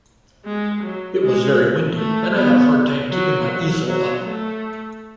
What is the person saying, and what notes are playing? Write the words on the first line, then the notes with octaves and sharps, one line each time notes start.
It was very windy and I had a hard time keeping my easel up.
G#3
F#3
G#3
A3
B3
F#3
F#3
A3